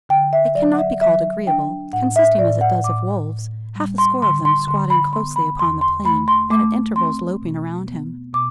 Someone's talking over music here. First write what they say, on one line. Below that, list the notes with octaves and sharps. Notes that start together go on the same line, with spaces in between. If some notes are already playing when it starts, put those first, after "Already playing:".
It cannot be called agreeable;--consisting as it does of wolves--half a score of them squatting closely upon the plain, and at intervals loping around him.
D3 G5
E5
F#3 D5
F#5
E5
F#3 E5
D4 G5
A2 F#5
E5
A2 D5
F#5
A2 D6
A2
G3
C6
D3 C6
C6
D3 C6
B5
B3 C6
B5
E2 C6
C6
A3 B5
C6
A3 D6
C4 C6
B2
B3
B2 D6